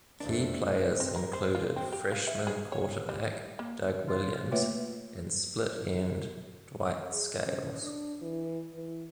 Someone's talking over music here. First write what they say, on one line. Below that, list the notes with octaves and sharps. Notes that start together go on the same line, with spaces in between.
Key players included freshman quarterback Doug Williams and split end Dwight Scales.
F2 A3 D4
C4
A#4
C5
F4
C4
G4
F5
E5
G#4
C#5
G3
A#3
F4
A3 A#3 F4 B4 C#5 E5
G#4
C#4
D4
E3
E3